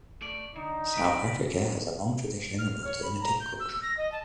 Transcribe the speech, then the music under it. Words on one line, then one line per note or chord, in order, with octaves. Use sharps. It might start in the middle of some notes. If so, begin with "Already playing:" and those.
South Africa has a long tradition of alternative culture.
A3 D5
D3 D#4
B4 D5
F6
C#5
B5
A#5
G6
E6
A#6
D#5
A5